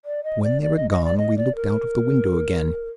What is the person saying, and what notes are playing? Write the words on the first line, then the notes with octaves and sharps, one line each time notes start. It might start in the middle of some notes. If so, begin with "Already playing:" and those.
When they were gone we looked out of the window again.
D5
D#5
D5
D5
D#5
D#5
D5
D#5
D5
A#4